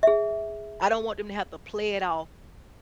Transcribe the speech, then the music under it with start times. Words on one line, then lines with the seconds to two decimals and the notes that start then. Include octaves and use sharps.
I don't want them to have to play it off
0.03 G#4 E5